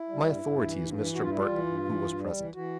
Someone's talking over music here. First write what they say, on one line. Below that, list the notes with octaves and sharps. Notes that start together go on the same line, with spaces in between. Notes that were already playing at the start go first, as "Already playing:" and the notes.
"My authority is Mr. Burton, who was present."
Already playing: E4
G3
G2
G2
E3
G2
E3
G2 F#4
F4
G3 E4
F4
E3
G2
E3
G2
G3
E3
E3 F#4